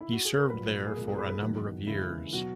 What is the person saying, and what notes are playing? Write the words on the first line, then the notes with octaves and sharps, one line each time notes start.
He served there for a number of years.
E4
F#4
G#4
A#4
A#1 A#2 F#3 B4
G#4
B1 A#2 G#3 A#4
G#4
B4
B4
F#1 E2 D#3 F#3
D#2 C#3 E3 G#3 E4
B2 F#3 F#4